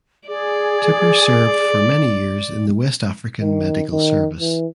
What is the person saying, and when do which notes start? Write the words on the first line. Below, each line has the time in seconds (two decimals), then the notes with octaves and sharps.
Tipper served for many years in the West African Medical Service.
0.28 G#4 D5
3.41 D#3
3.92 D#3
4.40 E3